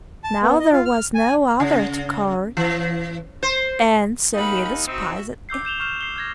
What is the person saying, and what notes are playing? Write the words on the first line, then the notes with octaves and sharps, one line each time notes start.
Now there was no other to court, and so he despised it.
A5
B3
D#5
F4
F6
G#5
C#3
E3
C5
D#2 D#4 F#5 B5
C4 D#4 F#4 E5
D6 E6 G6 C7
G6 E7 F7 G7
C#6 F6 G6 C7 E7
C7 G7
G6 G#6 A#6